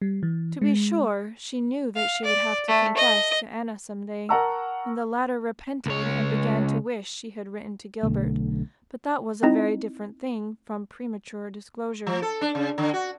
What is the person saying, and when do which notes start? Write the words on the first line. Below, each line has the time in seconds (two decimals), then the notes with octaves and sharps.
To be sure, she knew that she would have to confess to Anna some day, when the latter repented and began to wish she had written to Gilbert, but that was a very different thing from premature disclosure.
0.02 G3
0.23 E3
0.62 G#3
1.96 F5
2.25 D5
2.68 A3
2.97 D#5
4.29 A#4 F#5 A5 A#5 C#6 E6
5.86 C#2 C#5
8.03 B1 B2 D3 A3
9.43 C4 D#4 E4 D#5 A#5
12.07 F3
12.22 A4
12.41 D4
12.55 C#3
12.78 D3
12.93 F#4